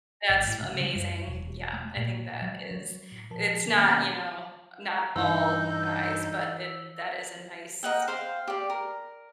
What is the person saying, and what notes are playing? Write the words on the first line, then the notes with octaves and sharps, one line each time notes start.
That's amazing, yeah, I think that is it's not, you know, not all guys, but it that is a nice
G#1
A2
C#3
G3
F#2
E1
A3
A#2
F#3
F#3
A2
A#2 F3 A#4 A5
B2 D#3 A#3 B3 C#4
G2 E3 D#4 E6 G6
A#4 D#5 F#5 G5
C5 F5 G5
G4 D5
A#4